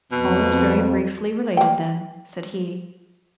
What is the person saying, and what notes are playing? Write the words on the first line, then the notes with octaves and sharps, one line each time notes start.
"All is very briefly related, then," said he.
F2 B2
A#3 G5